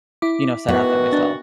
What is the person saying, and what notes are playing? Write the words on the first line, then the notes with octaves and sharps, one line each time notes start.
you know, set out there myself.
E4 D6
D#3 E3 B3 F#4 B4
D4